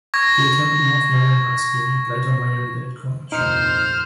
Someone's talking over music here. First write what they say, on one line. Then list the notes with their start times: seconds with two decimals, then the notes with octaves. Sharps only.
He attended North Miami High School, and later Miami Dade College.
0.14 C#6 G#6 A#6
3.32 F1 A#1 D#2 D#4 C5 F6